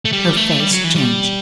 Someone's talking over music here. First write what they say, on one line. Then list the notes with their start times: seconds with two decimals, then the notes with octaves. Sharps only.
Her face changed.
0.05 A3
0.12 G3
0.36 A3
0.60 G3
0.71 F#3
0.84 E3
0.95 G3